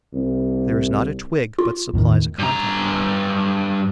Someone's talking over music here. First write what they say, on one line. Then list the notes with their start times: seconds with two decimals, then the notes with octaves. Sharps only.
There is not a twig but supplies a contact-point.
0.14 C2
1.59 F4
1.93 E2 A2 D#3
2.39 G2 A#5